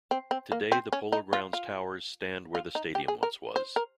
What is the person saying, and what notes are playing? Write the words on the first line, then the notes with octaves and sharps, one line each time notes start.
Today the Polo Grounds Towers stand where the stadium once was.
C4
C4
A#3
C4
C#4
D#4
F4
F4
F4
D#4
G4
G#4
A#4
C5
A#4